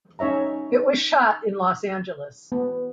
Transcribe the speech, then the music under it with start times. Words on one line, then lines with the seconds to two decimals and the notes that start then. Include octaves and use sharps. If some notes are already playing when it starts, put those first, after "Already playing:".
It was shot in Los Angeles.
0.19 C#4 D#4 C#5 E5 A#5
2.52 B3